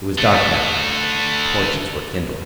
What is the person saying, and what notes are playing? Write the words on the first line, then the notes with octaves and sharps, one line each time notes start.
It was dark now, and torches were kindled.
D3 A3